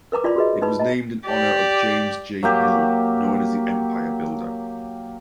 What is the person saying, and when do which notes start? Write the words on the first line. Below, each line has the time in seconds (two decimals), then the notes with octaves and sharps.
It was named in honor of James J. Hill, known as the Empire Builder.
0.12 A#4 B4 A#5 D6
0.24 E4 F4 D5 A#5 B5
0.36 F#4 G#4 B4 D#5
0.62 D#4 B4 B5
0.79 D#5 A#5
1.26 G4 D5
2.43 F#3 A#3 G4